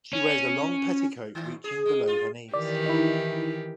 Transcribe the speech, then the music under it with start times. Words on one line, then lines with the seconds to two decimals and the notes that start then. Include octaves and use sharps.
She wears a long petticoat reaching below her knees.
0.13 C#4
1.35 D#3
1.64 G#4
1.85 G#3
2.07 F4
2.54 D#3 E3 G4 D5
2.86 D#4 E4